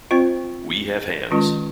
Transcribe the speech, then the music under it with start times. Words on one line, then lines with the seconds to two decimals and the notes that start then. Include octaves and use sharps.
We have hands.
0.11 C4 F4 C5
1.31 D#3 G#3 C#4 F4